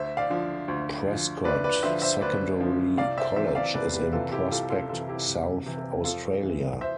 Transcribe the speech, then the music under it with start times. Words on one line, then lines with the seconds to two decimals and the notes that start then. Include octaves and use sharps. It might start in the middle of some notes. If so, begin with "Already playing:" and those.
Prescott Secondary College is in Prospect, South Australia.
Already playing: D2 C5 E5
0.17 D5 F5
0.30 D3 F3
0.68 D2
1.07 D3 F3
1.44 D2 B4 D5
1.64 B4 D5
1.83 D3 F3 C5 E5
2.02 C5 E5
2.21 D2 B4 D5
2.60 D3 F3
2.98 C2 D5 F5
3.18 C5 E5
3.36 C3 E3 C5 E5
3.55 D5 F5
3.74 C2 B4 D5
3.93 G4 B4
4.13 C3 E3 F4 A4
4.32 E4 G4
4.51 C2 F4 A4
4.70 F4 A4
4.89 C3 E3 F4 A4
5.09 E4 G4
5.28 C2
5.66 C3 E3
6.04 F2 F4 A4
6.43 E3
6.81 C5 E5